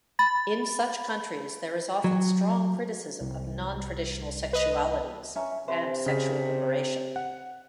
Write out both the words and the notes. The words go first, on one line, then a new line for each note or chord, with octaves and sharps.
In such countries there is often strong criticism of non-traditional sexualities and sexual liberation.
B5 A6
F#3
C2
B4 D#5
C#4 E5 A#5
C3 B4 C5 E5
C#3 B6
F#5